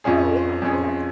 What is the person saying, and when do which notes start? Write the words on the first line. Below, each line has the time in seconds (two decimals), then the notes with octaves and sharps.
Oh, yeah, of course.
0.04 F2 F3 C#4 G#4
0.62 F2 F3 C#4 G#4